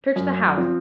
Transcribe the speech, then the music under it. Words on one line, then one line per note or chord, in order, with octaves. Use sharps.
Search the house.
F#2
F3 C4